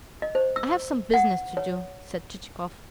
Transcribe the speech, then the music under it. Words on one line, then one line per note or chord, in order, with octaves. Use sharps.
"I have some business to do," said Chichikov.
D#5
C5
E6
F#5
C#5